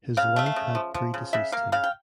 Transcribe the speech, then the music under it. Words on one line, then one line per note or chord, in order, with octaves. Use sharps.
His wife had predeceased him.
C#3 F5
A3 E5
F5
C#3
F3
F3
C#3
C#3 E5
A#3 F5
C#3 F5
G5